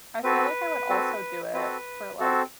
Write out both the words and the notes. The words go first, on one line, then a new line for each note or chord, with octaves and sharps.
I feel like I would also do it for, like,
C4 F#4 A4 B4
C4 F#4 A4
C4 F#4 A4 B4
C4 F#4 A4